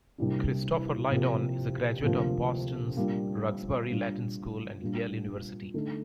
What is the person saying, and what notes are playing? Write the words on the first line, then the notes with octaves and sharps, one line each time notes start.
Christopher Lydon is a graduate of Boston's Roxbury Latin School and Yale University.
C2 C3 G3 A#3 D4
C3 F3 A#3
D2 C3 F3 A#3 F4
A#2 G3 A#3 D4 F4
A#2 G3 D4 F4
A#2 G3 D4 F4
D3 A3 D#4